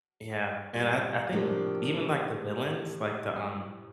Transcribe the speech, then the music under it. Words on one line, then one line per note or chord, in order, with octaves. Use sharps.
Yeah, and I I think even, like, the villains, like, the, um
G2 A#2
A2 C3 F3 A#3 D4 G4